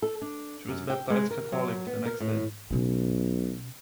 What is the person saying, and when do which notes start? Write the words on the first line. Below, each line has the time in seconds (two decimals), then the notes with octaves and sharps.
She was baptized Catholic the next day.
0.02 A4
0.22 D4
0.69 F#2
0.90 G5
1.10 G#3
1.31 A#4
1.52 F#3
1.87 B3
2.06 A#4
2.20 A2
2.71 B1 B2 C#4